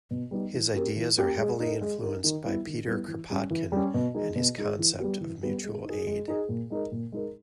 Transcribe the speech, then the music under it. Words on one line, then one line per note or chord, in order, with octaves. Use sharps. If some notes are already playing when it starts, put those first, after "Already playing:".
His ideas are heavily influenced by Peter Kropotkin and his concept of Mutual Aid.
B2
G3 B3 D#4
E3
A#3 C#4 G4 A#4
E3
A#3 C#4 G4 A#4
G#3
D#4 A#4
G#3
D#4 A#4
D#3
G3 B3 E4
D#3
G3 B3 E4
E3
G3 C#4
E3
G3 C#4
B2
G#3 D#4 G#4
B2
G#3 D#4 G#4
E3
G3 B3 G4
E3
G3 B3 G4
G#3
D#4 G#4
G#3
D#4 G#4
A#2
G#3 D#4 A#4
A#2
G#3 D#4 A#4